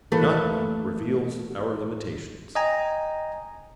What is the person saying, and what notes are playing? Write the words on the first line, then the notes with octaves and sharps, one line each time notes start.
Monotony reveals our limitations.
E3 A3 A#3 B4
D#5 G5 G#5 A#5